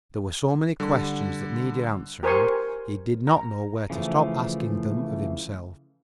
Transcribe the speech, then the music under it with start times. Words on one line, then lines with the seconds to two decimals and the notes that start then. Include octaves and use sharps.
There were so many questions that needed answering he did not know where to stop asking them of himself.
0.80 D3 G3
2.23 G4 A#4 C5 G#5 C6 C#6
3.27 A#5
3.90 C#3 E3 F3 A3